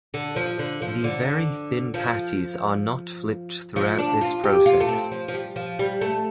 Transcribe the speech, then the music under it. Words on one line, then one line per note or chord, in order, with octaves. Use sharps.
The very thin patties are not flipped throughout this process.
D3
F3
D3
F3
D3
F3
F3
D4
F4
G4
F4
A3
C4
F3
F3
G3
F3
G3
A3